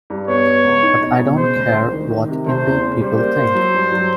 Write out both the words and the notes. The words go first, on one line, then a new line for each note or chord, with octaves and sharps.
But I don't care what 'indie people' think.
G2
B3 C#5
B3
C#2
D#4
B2
B2
C#3 C5
D2
D2
D#3
D#3
C3
A3 C5
E2
C#3
G3 C5
A#3
A#3
F#3
G2
F#3